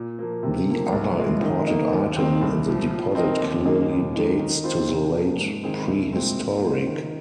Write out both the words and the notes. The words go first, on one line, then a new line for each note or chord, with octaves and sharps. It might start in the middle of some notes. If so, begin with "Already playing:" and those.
The other important item in the deposit clearly dates to the late prehistoric.
Already playing: A#2
F3 A#3
C3
F3 A#3
C2
A#2 G#3
D#3
A#3 D#4
D#2
D#3 C4
C2
A#2 F3
F3
C4 D#4 A#4 D#5
D#2
D#3 A#3 D#4 G#4
D#2
D#3 G#3 D#4
D#3
C4 F4 C5
C3
F3 A#3
G#2
D#3 C4 G#4 C5
C2
A#2 G#3 C4
A#2
A#3 F4 C5
D#3